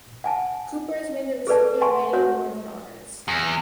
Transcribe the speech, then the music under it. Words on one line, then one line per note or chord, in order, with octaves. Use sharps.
Kupper has been the recipient of the many awards and honors.
F#5 G#5 A5
G#4 A4 B4 D5 A5
F#5 G#5 A5 C6 C#6
F#4 A#4 C#5 F#5
E2